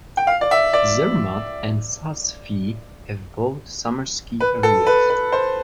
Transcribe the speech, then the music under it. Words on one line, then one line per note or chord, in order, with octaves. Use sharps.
Zermatt and Saas-Fee have both summer ski areas.
G5
F5
D5
E5
D5
B4
A4
B4
B4
C5